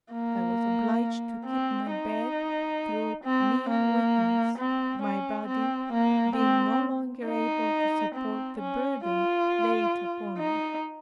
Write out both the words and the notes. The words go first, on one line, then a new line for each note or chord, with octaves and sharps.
I was obliged to keep my bed through mere weakness, my body being no longer able to support the burden laid upon it.
A#3
C4
D#4
C4
A#3
C4
C#4
C4
A#3
C4
D#4
C4
C#4
F4
D#4